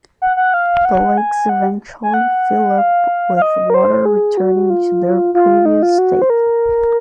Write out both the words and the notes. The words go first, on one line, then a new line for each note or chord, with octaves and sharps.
The lakes eventually fill up with water returning to their previous state.
F#5
F#5
F5
F#5
G#5
F#5
G#5
F#5
F5
F5
D#5
A#4
C5
G#4
F#4
F4
F4
D#4
F4
F#4
C5
A#4